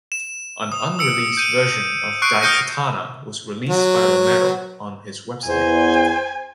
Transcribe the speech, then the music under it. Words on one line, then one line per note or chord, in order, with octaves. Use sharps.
An unreleased version of "Daikatana" was released by Romero on his website.
E7
D#6
E6 C#7 D7
G6 D#7
C#6 F#6 C7 D7
D#6 F6 G6 A#6 C#7 D#7
F#3
E2 C5 G#5